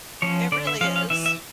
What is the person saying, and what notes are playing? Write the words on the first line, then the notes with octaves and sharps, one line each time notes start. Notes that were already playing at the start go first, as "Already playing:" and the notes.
It really is.
F3 C#4 C#5
D3 D5
E5
F3 C#4 F5
F5
E3 E5
E5